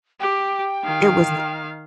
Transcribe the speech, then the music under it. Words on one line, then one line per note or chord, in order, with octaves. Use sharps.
it wasn't
G4 G5
D#3 F5